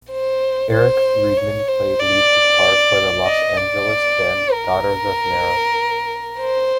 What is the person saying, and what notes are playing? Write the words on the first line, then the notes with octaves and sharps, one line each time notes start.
Eric Friedman played lead guitar for the Los Angeles band Daughters of Mara.
C5
C5
C#5
C5
D5
D#5
D5
A#4
C5